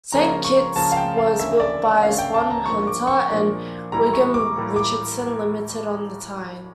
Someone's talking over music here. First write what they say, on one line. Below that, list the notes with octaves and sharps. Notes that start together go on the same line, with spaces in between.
"Saint Kitts" was built by Swan Hunter and Wigham Richardson Limited on the Tyne.
C#2 C#3 F3 A#3 C#4 A#5
C#6
C#2 C#3 F3 A#3 C#4 A5
F5
G5
F5
D2 C#3 E3 A#3 C#4 E5
D5
D2 C#3 E3 A#3 C#4 F5
G5
A5
A#5
A#2 F3 A#3 D4 C#6
D6
C#6
A#2 F3 A#3 D4
A2 E3 G3 A#3 E4 A#5
C#6
D6
A2 E3 G3 A#3 E4
D6